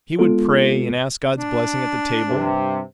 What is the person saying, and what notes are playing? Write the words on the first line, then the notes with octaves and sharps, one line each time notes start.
He would pray and ask God's blessings at the table.
G#3 B3 F4 A4
D4
G2 C3